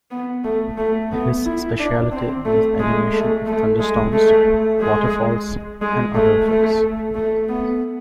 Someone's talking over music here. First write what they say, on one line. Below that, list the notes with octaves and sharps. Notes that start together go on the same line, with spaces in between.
His specialty was animation of thunderstorms, waterfalls and other effects.
B3
A3
A3
B3
E4
D4
C4
A3
G#3
A3
A3
G#3
A3
G#3
G#3
A3
A3
A3
B3